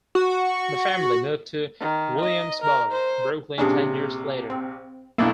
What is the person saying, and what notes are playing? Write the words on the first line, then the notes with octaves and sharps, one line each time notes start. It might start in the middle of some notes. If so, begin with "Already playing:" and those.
The family moved to Williamsburg, Brooklyn ten years later.
F#4
D#3
D#5
A#4
C5
A#1 C3 C#4 D4 G#4
C4
B1 A3 A#3 D4 E4